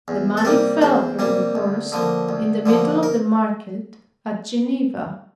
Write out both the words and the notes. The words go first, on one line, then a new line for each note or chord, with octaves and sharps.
The money fell from the horse in the middle of the market at Geneva.
E2
A4
C3 G3 A#3 A#4
E2 C5
C3 G3 A#3
D2
D3 F3 A#3
D2
D3 F3 A#3
A#4